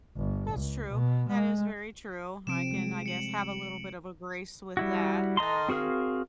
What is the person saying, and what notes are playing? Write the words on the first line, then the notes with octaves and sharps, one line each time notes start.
That's true. That is very true, I can, I guess, have a little bit of a grace with that, um,
G1
C#2
B2
G#3
C3 F3 C4 D7 E7
G3 G#3
C#7 F#7
G3 E4 F#4
A4 D#5 A#5 C6
C4 F#4 G#4 A#4 F5